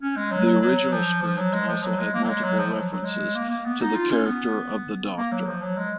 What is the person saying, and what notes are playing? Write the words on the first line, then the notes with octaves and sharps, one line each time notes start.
The original script also had multiple references to the character of the Doctor.
C#4
G#3
F#3
F#3
F#3
F#3
F3
F3
F#3
G#3
F3
F#3
G#3
A#3
F#3
G#3
F#3
F3
F#3
F#3
G#3
A#3
A#3
B3
D#4
F4
C#4
B3
A#3
F#3
F3
F#3
G#3